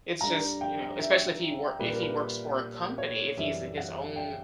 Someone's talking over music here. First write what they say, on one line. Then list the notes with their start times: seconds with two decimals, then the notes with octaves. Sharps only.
It's just, you know, especially if he work if he works for a company, if he's his own
0.21 G2 D3 G3 A#5
0.61 G5
1.00 E5
1.79 A#2 G3 B4
1.91 A#4
2.02 B4
2.98 C#5
3.37 F#2 E3 G3 E5
3.77 F#5
4.16 G5